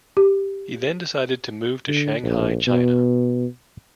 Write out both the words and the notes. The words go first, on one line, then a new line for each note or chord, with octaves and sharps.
He then decided to move to Shanghai, China.
G4
D3
A#1
B2